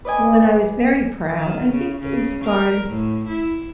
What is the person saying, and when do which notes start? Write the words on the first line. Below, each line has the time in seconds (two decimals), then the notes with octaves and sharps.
when I was very proud, I think as far as
0.05 B4 D5 D#5 G#5
1.35 D#3
1.70 C#3
2.00 C#3
2.44 A#4
2.89 A2
3.28 E4